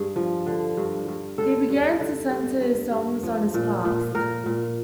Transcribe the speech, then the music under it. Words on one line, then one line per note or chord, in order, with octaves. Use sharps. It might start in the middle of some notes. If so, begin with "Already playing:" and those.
He began to centre his songs on his past.
Already playing: G2 G#4
F3
D3
G2
G2
D3 A4
G2
D3
G2
G2
G2
F3
A#2
A#2
A#2 A#4
A#2